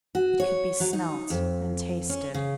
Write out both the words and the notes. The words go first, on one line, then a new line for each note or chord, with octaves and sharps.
It could be smelt and tasted.
F#4
C#5
F#3
D#4
F2
C#4
C#3